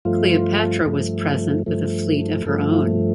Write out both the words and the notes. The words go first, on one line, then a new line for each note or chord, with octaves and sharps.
Cleopatra was present with a fleet of her own.
G2 F3 A3 F4
G2 F3 A3
G2 F3 A3
G2 F3 A3 A4
F4